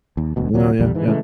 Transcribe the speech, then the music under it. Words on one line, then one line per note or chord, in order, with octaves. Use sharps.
Oh, yeah. Yeah.
D#2
E1 D2 B2
D#2 C3 F#3
A#1 E2 D3 G3
G#2 E3
C#3 E3 G#3 A3